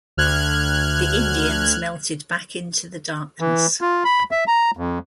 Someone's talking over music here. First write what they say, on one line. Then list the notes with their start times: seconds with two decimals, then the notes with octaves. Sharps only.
The Indians melted back into the darkness.
0.17 D2 F6 F#6 G#6
3.40 E3
3.81 F4
4.05 B5
4.31 E5
4.47 A#5
4.77 F2